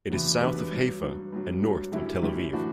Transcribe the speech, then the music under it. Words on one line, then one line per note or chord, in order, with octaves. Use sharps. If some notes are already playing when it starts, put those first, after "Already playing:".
It is south of Haifa and north of Tel Aviv.
E2 D3 F#3
E2 D3 F#3 G4 B4
G2 F#3
G2 F#3
G2 F#3
G2 F#3
F#2 D3 F#3 E4 G4
F#2 D3 F#3 E4 G4
A2 E3 D4 F#4